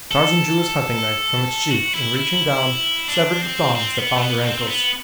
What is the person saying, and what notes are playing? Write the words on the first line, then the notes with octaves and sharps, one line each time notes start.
Tarzan drew his hunting knife from its sheath and reaching down, severed the thongs that bound her ankles.
A4
F#4
E4
E4
D4
C4
C4
B3
A3
B3
C4
B3